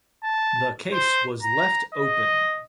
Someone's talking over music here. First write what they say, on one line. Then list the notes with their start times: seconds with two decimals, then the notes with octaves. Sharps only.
The case was left open.
0.24 A5
0.93 C5
1.43 A#5
1.94 D#5